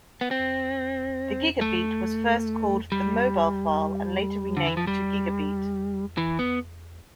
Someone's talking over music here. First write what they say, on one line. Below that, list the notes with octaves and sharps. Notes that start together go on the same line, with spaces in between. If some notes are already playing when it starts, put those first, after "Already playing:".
The Gigabeat was first called the MobilPhile and later renamed to Gigabeat.
B3
C4
A3
G3
D3
E3
F3
G3
E3
B3